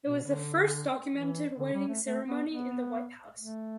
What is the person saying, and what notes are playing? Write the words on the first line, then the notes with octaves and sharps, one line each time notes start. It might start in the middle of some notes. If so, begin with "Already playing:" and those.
It was the first documented wedding ceremony in the White House.
B2
D3
E3
D3
G3
A3
A3
B3
B3
A3